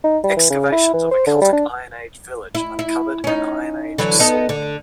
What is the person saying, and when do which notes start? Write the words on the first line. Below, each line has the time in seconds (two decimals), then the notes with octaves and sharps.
Excavations of a Celtic Iron Age Village uncovered an iron age sword.
0.04 D#4
0.24 G3
0.37 E3
0.50 C#3
0.72 E4
0.94 E3
1.11 C5
1.27 D3
1.41 G3
1.52 D4
2.55 E4
2.79 E4
3.24 C#4 D#4
3.98 D3 E3 F#3
4.19 B3 D#4 A4
4.49 D3